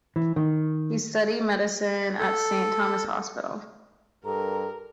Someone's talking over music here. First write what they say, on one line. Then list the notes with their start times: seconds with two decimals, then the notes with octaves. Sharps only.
He studied medicine at Saint Thomas' Hospital.
0.16 E3
0.36 D#3
2.19 A4
4.25 G2 A4 A#4 A#5